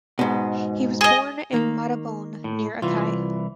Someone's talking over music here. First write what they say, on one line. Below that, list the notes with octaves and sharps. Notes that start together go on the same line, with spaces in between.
He was born in Montabone near Acqui.
G#2 B2
G#4 D#5
D#3 A#3
A2
C2 E3 F4